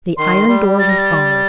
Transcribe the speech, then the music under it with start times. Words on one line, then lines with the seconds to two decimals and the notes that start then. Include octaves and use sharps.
The iron door was barred.
0.17 D#3 C6
0.48 G3
0.79 A6
0.89 A#6
0.98 A6